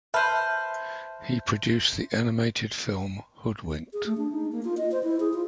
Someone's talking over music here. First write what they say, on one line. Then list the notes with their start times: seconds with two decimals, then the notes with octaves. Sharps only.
He produced the animated film Hoodwinked!
0.14 B4 C5 E5 A5 F6
3.93 G#4
4.06 A3
4.18 D4
4.32 D#4
4.52 A#3
4.65 F4
4.78 D#5
4.92 C5
5.03 E4
5.20 G#4
5.33 F4